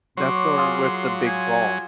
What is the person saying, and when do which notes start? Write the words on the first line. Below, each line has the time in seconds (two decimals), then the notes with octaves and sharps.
that's the one with the big ball
0.17 F#3 C#5 C6 D6
0.58 F4 G#4
1.26 G#5